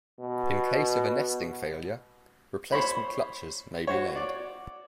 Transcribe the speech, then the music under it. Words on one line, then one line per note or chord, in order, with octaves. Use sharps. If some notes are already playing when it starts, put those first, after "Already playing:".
In case of a nesting failure, replacement clutches may be laid.
B2
C5 C#5 B5
F#4 C5 C#5
D5